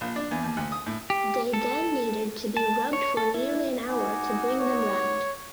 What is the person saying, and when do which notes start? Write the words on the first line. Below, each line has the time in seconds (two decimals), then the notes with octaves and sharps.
They then needed to be "rubbed for nearly an hour to bring them round".
0.01 A#1
0.16 D4
0.31 E2
0.43 D#2
0.57 D2
0.72 D#6
0.86 A2
1.10 G4
1.54 A4
2.57 A5
2.93 C#5
3.17 A4
3.34 E4
3.89 D#4 F#4 G#5 D6
4.59 C#5